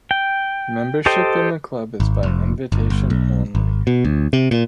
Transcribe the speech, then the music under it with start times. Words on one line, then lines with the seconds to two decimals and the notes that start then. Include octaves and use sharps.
Membership in the club is by invitation only.
0.11 G5
1.06 G4 A4 C5 D#5 G5
2.00 G#1
2.23 F1
2.72 G1
2.90 G1
3.10 B1
3.55 G#1
3.87 B2
4.05 D2
4.33 C3
4.51 A#2